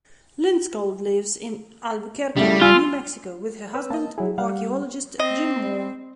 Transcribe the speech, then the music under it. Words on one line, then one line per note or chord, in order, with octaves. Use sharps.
Lindskold lives in Albuquerque, New Mexico, with her husband, archaeologist Jim Moore.
C#3 G3 A3 E4
F4 G#5 E6
B4 C#5 E6
A#3 D#5 A5
F#3 E4 G#4
G3 F5 F#5
C4 D#5